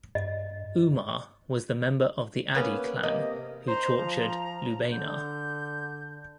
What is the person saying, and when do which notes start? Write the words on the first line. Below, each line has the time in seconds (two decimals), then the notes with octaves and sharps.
Umar was the member of the Adi clan who tortured Lubaynah.
0.15 G2 D#5
2.54 A#3 B3 C#4
3.03 C3 A#3 D#5
3.68 C5 A#5
3.98 F3
4.92 D3 G6